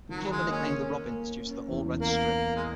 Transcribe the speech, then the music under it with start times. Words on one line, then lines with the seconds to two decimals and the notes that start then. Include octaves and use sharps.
The club are nicknamed "The Robins" due to their all-red strip.
0.09 D#3 F#3
0.31 G#3
0.41 A#3
0.51 C#4
0.73 A#3
1.05 A#3
1.37 C#4
1.68 E2
2.00 A#3 A#4
2.32 A#4
2.56 G#3